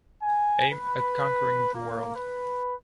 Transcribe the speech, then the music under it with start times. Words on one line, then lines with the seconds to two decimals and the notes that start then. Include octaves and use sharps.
Aim at conquering the world.
0.21 G#5
0.72 B4
1.73 A#3
2.16 B4